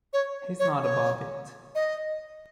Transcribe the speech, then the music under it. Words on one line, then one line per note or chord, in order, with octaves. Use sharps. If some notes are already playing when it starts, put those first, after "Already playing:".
He's not above it.
C#5
C#5
C#5
D#5